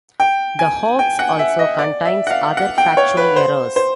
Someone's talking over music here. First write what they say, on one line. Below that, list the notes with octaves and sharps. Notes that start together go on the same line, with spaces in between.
The hoax also contains other factual errors.
G5
G#5
G5
F#5
E5
D#5
D5
E5
F#5
F5
F#5
G5
C#5
B4
C5
C5